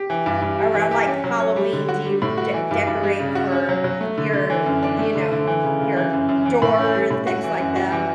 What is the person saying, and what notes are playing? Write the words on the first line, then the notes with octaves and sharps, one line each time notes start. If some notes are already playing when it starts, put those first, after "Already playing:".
around, like, Halloween? Do you de decorate for your, you know, your door and things like that?
Already playing: G4
E3
G2
G2
G3
E3
G4
C#4
F#3
C#5
G3
D3
F#4
G3
A2
F#4
E3
G2
G2
G3
C#3
F#4
C#4
F#3
F#3
A3
D3
D3
E3
F#2
D4
A3
D3
D3
E3
C#3
C#3
E3
F#2
F#2
E3
A2
C#4
G3
A2
F#4
E3
F#2
F#4
E3